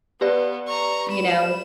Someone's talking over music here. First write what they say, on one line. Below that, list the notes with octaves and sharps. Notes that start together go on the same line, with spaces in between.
You know.
B3 G4 B4 D5
A#5 C#6
B5 E7